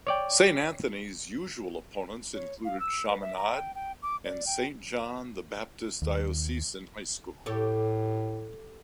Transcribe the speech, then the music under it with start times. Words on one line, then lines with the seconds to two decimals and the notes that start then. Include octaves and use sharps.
Saint Anthony's usual opponents include Chaminade and Saint John the Baptist Diocesan High School.
0.07 C#5 D5 G5
2.34 C#5
2.65 F5
2.80 E6
3.08 B4
3.22 E5
3.37 A#5
3.52 G5
3.75 G5
4.02 D6
4.25 D5
4.46 G5
6.02 D#2
7.46 A2 G4 A4 C#5